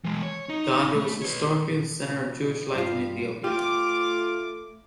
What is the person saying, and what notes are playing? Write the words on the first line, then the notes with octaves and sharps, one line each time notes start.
Gonder was historically the center of Jewish life in Ethiopia.
E3 G#3
C#5
D#4
A3
B4 C#5
G2 F4
A3 F4 G4 D6